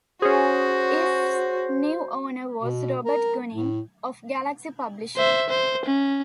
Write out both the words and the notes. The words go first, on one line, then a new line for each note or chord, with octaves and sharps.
"If"'s new owner was Robert Guinn, of Galaxy Publishing.
C#4 F#4 G#4 C5
B2
A#4
A2
C5 E5
C5
C#4